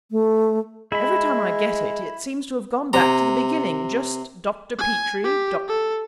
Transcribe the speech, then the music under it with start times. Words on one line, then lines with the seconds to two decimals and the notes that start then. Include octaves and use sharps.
Every time I get it, it seems to have gone back to the beginning--just Dr. Petrie--Dr.
0.11 A3
0.92 G#3 E4 B5
2.93 C3 A#5
4.79 G#5
5.24 G4
5.68 A4